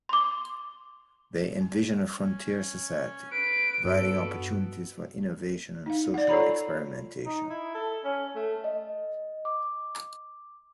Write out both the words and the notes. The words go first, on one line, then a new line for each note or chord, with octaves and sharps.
They envision a frontier society, providing opportunities for innovation and social experimentation.
C6 D6
C#4
B4 D7
G2 B3 F4 F#4 A4
D#4 F5
D5 F#5
F4 A4 C#5 A#5 B5
D#4
E4
A4
C#4
A3
D#5
D6